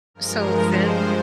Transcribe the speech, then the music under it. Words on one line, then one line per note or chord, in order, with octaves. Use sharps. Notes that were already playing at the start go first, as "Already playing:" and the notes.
So then,
G2 F3 G#3 A#4
C5